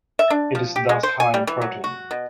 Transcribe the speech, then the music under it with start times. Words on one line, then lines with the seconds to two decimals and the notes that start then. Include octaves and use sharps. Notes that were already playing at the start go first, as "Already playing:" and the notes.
It is thus high in protein.
0.19 E5
0.30 D4
0.55 F3
0.76 G4
0.89 G#3
1.03 C5
1.20 G#5
1.34 G3
1.47 E3
1.62 F#3
1.84 F#4
2.11 B2